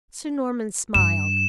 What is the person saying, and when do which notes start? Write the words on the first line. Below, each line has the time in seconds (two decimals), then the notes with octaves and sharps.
Sir Norman smiled.
0.94 G2 D4 E7